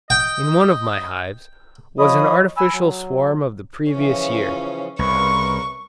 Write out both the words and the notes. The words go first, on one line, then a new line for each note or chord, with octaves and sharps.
In one of my hives, was an artificial swarm of the previous year.
D#5 G5
F3 C#5 D#5 B5 D#6
G#5 B5 E6
F#3
C#3 E3 F3 C#4
C2 C#3 A#4 B4 C#6